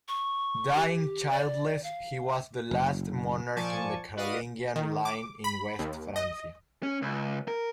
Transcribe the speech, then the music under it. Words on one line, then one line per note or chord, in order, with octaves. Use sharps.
Dying childless, he was the last monarch in the Carolingian line in West Francia.
C#6
G4
D5
F5
F#1
A#2 F3 D5 G#5 A5 C#6
F#4 B4 D5 D#5 F5 D#6
D#3
D6
B5
D#2
D#5
C#4
C#2
A#4